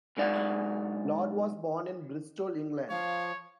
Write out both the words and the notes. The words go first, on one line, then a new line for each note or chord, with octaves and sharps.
Lord was born in Bristol, England.
B1 G#3 D#4 D5 F#5
F3 C#5 F5